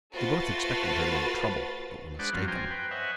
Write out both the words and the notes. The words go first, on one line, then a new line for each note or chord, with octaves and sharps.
They both expected her to make trouble but were mistaken.
A3 F4 F#4 B4 C5 A6
G#3 D4 B4 C5 D5 F#5
F#2 F3 F#3 C4 F5
C5 G5 G#5 A#5 C6
B4 G5
C5 C#5 D#5 E5 F#5 G#5